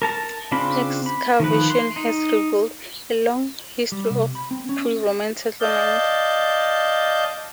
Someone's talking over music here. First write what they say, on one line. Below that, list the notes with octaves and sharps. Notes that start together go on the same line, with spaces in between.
Excavation has revealed a long history of pre-Roman settlement.
A#4 A5 A#5
C#3 C4 D4 F4 B5
B5
D#3 F3 B4
C6
D#4
G3
C3
B5
C4
C#4
D5 D#5 F5 A5 G6